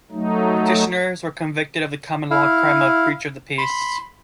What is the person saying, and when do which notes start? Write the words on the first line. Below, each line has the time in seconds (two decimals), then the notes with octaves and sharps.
Petitioners were convicted of the common law crime of breach of the peace.
0.11 F#3 A3 D#4
2.31 E4 F5
3.58 B5 C6